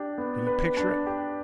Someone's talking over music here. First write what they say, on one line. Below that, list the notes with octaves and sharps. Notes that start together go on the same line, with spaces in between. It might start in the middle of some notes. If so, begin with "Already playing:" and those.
Can you picture it?
Already playing: D4 G4
B3
B4
D4
G4